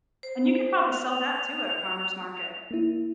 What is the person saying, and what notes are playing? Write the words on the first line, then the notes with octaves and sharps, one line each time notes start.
and you could probably sell that too at a farmer's market.
C5
F7
A#3 E4